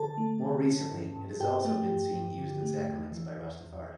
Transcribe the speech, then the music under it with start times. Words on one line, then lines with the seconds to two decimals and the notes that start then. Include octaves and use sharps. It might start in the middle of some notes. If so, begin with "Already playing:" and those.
More recently, it has also seen use in sacraments by Rastafari.
Already playing: D3 A4 A5
0.17 A3
0.42 D3
0.67 C#4
0.91 G2
1.16 G2
1.40 G2 G4 G5
1.65 A3
1.89 G2
2.14 G2
2.38 D3
2.63 A3
2.87 E2
3.12 E3
3.37 E2
3.61 E2